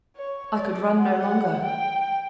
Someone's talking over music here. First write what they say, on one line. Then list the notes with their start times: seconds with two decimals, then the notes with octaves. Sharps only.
I could run no longer.
0.16 C#5
0.56 D5
0.98 F#5
1.64 G5